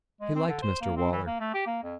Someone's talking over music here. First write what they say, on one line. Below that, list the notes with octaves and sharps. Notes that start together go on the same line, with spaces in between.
He liked Mr Waller.
G#3
C4
D3
C5
A#3
C4
E3
A#3
A3
G4
A#3
F2